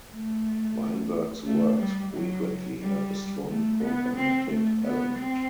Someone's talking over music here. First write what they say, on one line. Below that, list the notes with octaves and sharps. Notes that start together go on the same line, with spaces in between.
Weinberg's works frequently have a strong programmatic element.
A3
A3
G3
F#3
G3
A3
B3
C4
A3
B3
C4